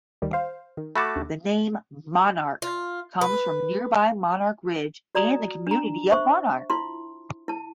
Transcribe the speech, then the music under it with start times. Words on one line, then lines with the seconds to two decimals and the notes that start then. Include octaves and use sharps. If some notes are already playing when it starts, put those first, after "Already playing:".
The name "Monarch" comes from nearby Monarch Ridge and the community of Monarch.
0.22 D2 D#3 G3
0.33 C5 F5
0.77 D#3
0.96 A3 F#4 A5 B5 D6
1.16 D#2 D3
2.62 F4
3.21 B4
5.15 F#4 D5 A#5 D#6
5.67 D4 A#5
6.12 C5 E5 C#6
6.70 E4 F4 C6
7.48 E4 A5